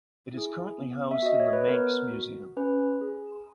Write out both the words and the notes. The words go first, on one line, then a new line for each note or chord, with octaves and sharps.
It is currently housed in the Manx Museum.
E4 G#4
B3
E5
F#4 D#5
C#5
B4
B3 A#4
F#4
C#4 B4
G#4